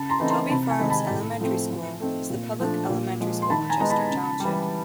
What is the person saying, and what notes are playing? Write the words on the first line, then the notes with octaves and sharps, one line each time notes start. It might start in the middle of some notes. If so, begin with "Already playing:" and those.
Toby Farms Elementary School is the public elementary school in Chester Township.
Already playing: C#3 A5 B5
A#5 C6
E3 A3 C4 D#4
A#5 C6
C3 A5 B5
G#5 A#5
D#3 G#3 C4 D#4
A5 B5
A2
F3 A3 C4
F3
A3 C4 D#4
A#2
F3 A3 D4
A#2
F3 G#3
C6
D#3 A5 B5
G#5 A#5
G#3 B3 D#4 A#5
A5 B5
C#3
E3 G3